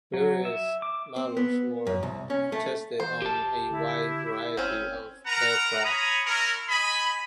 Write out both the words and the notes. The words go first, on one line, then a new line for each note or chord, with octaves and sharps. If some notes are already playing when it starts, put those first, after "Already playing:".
Various models were tested on a wide variety of aircraft.
F#3
E5
D6
C4
B3
F#2
C2
C#4
A3
E3 C5
E1 G4 A5
D3 E4
G1 C4 C#4
A#4 B4 F#5 A#5
C#5 G#5 A#5 B5 D#6
C#4 E4 A#4
D#5 G#5 B5